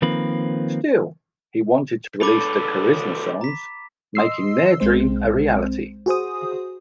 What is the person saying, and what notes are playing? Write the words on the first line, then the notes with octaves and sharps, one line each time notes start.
Still, he wanted to release the Charizma songs, making their dream a reality.
D#3 F3 A#3 C4 B4
C#2 A4 B5 D6 A6
A#5 B6
D#5 C6 E6 C7
B1 G#3 C4 C5
F#4 G#4 C5 D#6